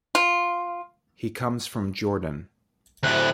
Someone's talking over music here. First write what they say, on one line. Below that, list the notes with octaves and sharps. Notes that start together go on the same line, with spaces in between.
He comes from Jordan.
F4
D2 A2 C3 F#6